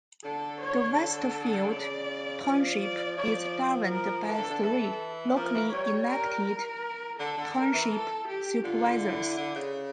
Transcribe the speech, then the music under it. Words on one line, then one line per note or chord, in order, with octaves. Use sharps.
The Westfield Township is governed by three, locally elected Township Supervisors.
D3 A4
C#5
A4
C#3 D5
F3
D5
F3 D5
A#4
E3 A4
D3
D3
E3 A4
F3 A#4
E3
G3 C#5
A#4
A#4
D3 A4
D3
A#4
E3
A4
G4
D3 F4
E4
D3
C#3